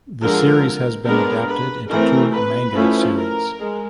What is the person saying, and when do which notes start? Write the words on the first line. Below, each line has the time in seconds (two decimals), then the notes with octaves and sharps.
The series has been adapted into two manga series.
0.21 D3 F3 G#3 A#4
1.06 G#3 B3 D4 A#4
1.48 B4
1.89 E3 A3 C4 A#4
2.32 B4
2.74 F3 A3 C#4 E4
3.17 A#4
3.59 G#3